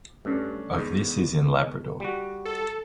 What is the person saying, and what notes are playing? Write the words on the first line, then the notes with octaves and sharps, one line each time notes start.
Of this is in Labrador.
G2 A3 C#4 D4
E2 G#2
G3 F#4
A4